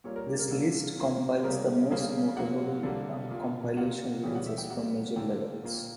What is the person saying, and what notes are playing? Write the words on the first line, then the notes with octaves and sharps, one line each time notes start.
This list compiles the most notable compilation releases from major labels.
A#2 G3 A#3 C#5
A#4
G4
A#4
D3 G3 A#3
A#2 A#3
C#3 G3 A#3 A#4
C#3 G3 A#3
A#2 F#3 A#3 F#5
D3 G3 A#3
A#2 A#3
A#2 A#3 F#5
C#3 E3 G3 G5
F#5
E5
G5
B2 G3 A#3 F#5
D3 A#3 G5
A#2 A#3